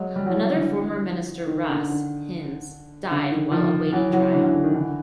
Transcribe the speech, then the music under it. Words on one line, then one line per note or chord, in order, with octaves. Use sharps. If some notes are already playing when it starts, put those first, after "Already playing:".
Another former minister, Russ Hinze, died while awaiting trial.
Already playing: F#3 G#3
G3
E3 F#3
D3 E3
D#3
D3
D3
D3
D#3
D#3 F3
E3 F#3
E3 F#3
D3 E3
D3 E3
D3
D#3
D3 E3